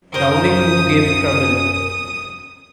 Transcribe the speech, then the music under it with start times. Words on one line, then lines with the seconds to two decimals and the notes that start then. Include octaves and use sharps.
Downing who gave trouble.
0.14 F#2 A#4 C5 D#6